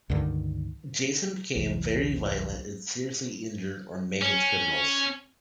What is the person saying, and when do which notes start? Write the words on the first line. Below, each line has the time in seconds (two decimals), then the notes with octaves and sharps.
Jason became very violent and seriously injured or maimed criminals.
0.10 C#2 G2 D3 D#3
1.55 F1 C2 E3
4.22 C#4